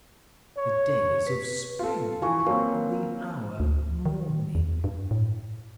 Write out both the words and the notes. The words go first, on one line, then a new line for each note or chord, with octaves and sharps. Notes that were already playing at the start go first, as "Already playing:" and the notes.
The day is of spring, and the hour morning.
C#5
B4
F4 A4
E3 F3 F5 G#5 C#6
F#3 A#3 C4 A#4 B4 F5
D2
D#3
E2
G2
A2